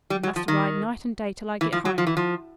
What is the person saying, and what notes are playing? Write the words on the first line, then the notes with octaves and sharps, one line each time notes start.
I must ride night and day till I get home.
G3
F#3
F3
D#3
E3
F3
F#3
F3
E3
F3